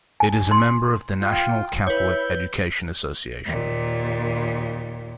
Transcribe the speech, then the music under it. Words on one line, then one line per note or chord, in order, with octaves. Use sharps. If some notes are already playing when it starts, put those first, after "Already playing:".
It is a member of the National Catholic Education Association.
G#5
C6
F4 G5
E4 B4 C#5 G6
D#2 A#2